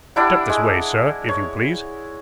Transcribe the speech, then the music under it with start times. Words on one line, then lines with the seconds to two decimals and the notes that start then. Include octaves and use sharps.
Step this way, sir, if you please.'
0.16 G3 D4 E4 F#5
0.50 G#3
1.28 C#5